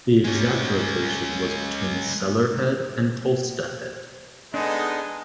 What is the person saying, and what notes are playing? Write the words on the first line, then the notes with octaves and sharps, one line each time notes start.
The exact location was between Cellar head and Tolsta head.
G#3 C#4
G#3 B3 D4 D#4 A4